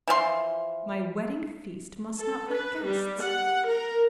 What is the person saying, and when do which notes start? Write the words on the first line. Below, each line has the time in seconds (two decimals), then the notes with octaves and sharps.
My wedding feast must not lack guests.
0.08 E3 F3 G#4 C6
2.18 A4
2.50 B4
2.85 G3
3.23 F#5
3.67 A#4